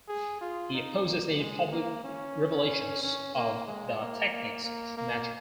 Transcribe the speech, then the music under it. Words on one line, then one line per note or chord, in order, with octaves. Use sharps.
He opposes any public revelations of the techniques of magic.
G#4
F4
D#4
A#3
G#3
A#3
C#4
C#4
A#3
G#3
A#3
A#3
A#3
A#3